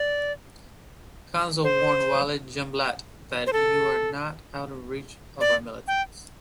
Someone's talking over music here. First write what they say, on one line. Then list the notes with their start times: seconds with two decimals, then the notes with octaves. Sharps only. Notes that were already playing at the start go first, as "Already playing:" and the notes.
Qanso warned Walid Jumblat that "you are not out of reach of our militants".
Already playing: D5
1.64 C5
3.47 C5
3.53 A4
5.41 D5
5.88 G5